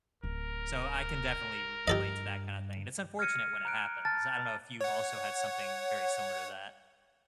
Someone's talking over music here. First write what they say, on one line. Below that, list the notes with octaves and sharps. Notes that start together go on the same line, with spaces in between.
So, I can definitely r relate to that kind of thing. It's unfortunate when it happens. I don't know if you've also had something very similar to that.
D1 A#4
G2 G4 A4 D#5
F6 G#6 A#6 C#7 D#7
A#5 F#6 D7
A5 F6 A6
C#5 F#5